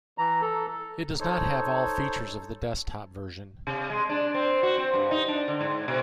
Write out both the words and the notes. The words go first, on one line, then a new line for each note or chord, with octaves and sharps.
It does not have all features of the desktop version.
E3 A#5
A4
D#4 A4 C5 C#5
C3
G#3
D4
C4
F#4
C4
G2
D#4
D4
D3
G#2
B2